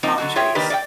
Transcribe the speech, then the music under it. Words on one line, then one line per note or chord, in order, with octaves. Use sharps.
palm trees.
F3 A#3 C4 D#4
D3 F#3 F#4
F4 G#4 C#5 E5 G5
D#3 A#3 D4 G4 A#4 B4
D5 D#5 G5